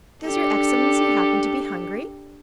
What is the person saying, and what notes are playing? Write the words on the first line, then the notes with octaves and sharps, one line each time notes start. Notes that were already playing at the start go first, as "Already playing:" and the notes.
"Does your excellency happen to be hungry?"
D4 G4 A4